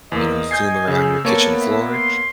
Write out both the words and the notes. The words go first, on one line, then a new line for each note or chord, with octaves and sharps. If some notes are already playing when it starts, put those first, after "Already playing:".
you know, zoom around your kitchen floor.
E2 A#3 D#5
G#5 G6 G#6 C7
C#3 G#4 E6
A#3 B3 A4 C#5
E5
C6